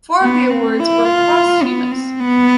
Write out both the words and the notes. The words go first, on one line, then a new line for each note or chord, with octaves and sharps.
Four of the awards were posthumous.
B3
C4
E4
F4
B3
C4
B3